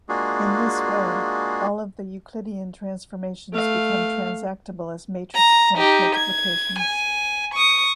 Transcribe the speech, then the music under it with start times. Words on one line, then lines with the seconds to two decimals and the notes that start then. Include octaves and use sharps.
In this way, all of the euclidean transformations become transactable as matrix point multiplications.
0.09 G#3 A#3 D4 F4 F#4 G#4
3.53 A3 F5
5.34 A#5
5.77 D#4 G4
6.15 G#6
6.79 G#5
7.54 C#6 D#6